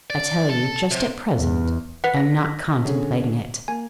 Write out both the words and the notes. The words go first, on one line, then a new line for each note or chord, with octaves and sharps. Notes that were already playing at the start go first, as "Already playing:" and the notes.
I tell you, just at present, I am not contemplating it.'
D5
A4
C3
E2
B4 F#5 B6
A#6
D3 C#4 G#4
A#3 G#5